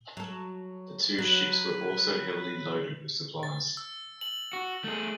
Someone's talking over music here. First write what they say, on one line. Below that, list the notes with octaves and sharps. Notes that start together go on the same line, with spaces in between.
The two ships were also heavily loaded with supplies.
F#3 A4
F#3 B4
A6
E6
F#7
F#4
A3 G#4